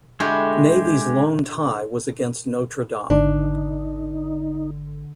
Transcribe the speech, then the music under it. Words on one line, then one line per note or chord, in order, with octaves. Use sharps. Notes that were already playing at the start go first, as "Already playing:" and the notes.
Navy's lone tie was against Notre Dame.
D3 G#3 E4 F#4 G4
G#1 D3 D4 D#4